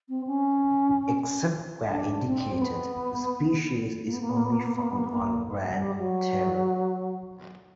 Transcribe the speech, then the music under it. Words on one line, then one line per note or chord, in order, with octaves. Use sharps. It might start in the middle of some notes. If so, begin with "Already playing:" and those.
Except where indicated, the species is only found on Grande Terre.
C4
C#4
D4
C4
C4
B3
A#3
B3
A#3
B3
A#3
B3
A#3
B3
A#3
B3
A#3
B3
A#3
B3
A#3
G3
F#3